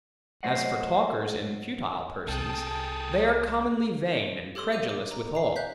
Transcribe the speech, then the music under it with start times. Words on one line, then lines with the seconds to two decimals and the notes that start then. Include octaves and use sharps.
As for talkers and futile persons, they are commonly vain and credulous withal.
0.43 F#3 A3 C5 D#5 F#5
2.28 C2 G#4 A4 G5 A5 D#6
4.55 G4 A4 C#5 C6 D#6
4.72 D#5 F5 D6 D#7 F7
4.89 D6
5.11 A#5
5.35 A#5 C7
5.56 F5 F#6 G6 B6